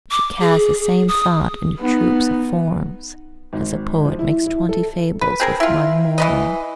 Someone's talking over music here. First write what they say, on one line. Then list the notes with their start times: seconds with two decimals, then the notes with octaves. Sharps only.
She casts the same thought into troops of forms, as a poet makes twenty fables with one moral.
0.11 D6
0.40 G#4
1.08 D#6
1.79 B3 D#4
3.53 G#1
4.05 F3
4.19 E4
4.46 E4
4.69 A4
5.21 B4
5.40 C4 G#4 A#4
5.60 E4 F4
6.18 E3 B4 D#5